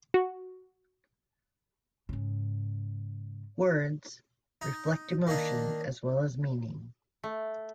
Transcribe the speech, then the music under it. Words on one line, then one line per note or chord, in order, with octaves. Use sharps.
Words reflect emotion as well as meaning.
F#4
G#2 C#3
D#4
D#3 A#3 D4 D#4
A3